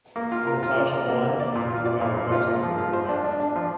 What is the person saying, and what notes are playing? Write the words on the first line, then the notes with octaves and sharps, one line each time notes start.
Natashquan is about west of the river mouth.
A#3
F4
A#4
F4
D5
A#4
A#3
A#3
D5
A#2
F4
D5
A#2
A#2
F4
A#3
F3
F4
C5
D4
D4
D4
F3